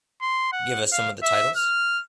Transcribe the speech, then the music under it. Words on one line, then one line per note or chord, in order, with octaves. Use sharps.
Give us some of the titles?
C6
F#5
F5
E5
F6